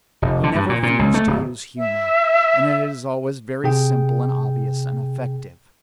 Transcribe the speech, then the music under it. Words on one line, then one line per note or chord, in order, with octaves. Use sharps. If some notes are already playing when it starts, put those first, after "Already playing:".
He never fears to use humor, and it is always very simple and obvious and effective.
F1
D3
G2
A#2
A#2
C#2
A3
D1
E5
C3 G#4 G5